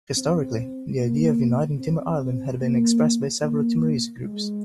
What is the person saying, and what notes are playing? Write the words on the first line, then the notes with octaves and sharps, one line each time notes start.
Historically, the idea of uniting Timor Island had been expressed by several Timorese groups.
C4
A#3
C4
A#3
A#3
G#3